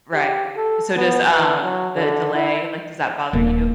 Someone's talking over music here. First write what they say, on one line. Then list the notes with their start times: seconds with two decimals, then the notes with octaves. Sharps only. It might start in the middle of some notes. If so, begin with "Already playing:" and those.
Right, so does, um, the delay, like, does that bother you?
0.14 G4
0.57 A4
0.97 B3
1.28 E3
1.64 F#3
1.95 D3
2.35 E4
3.33 D#1 A#3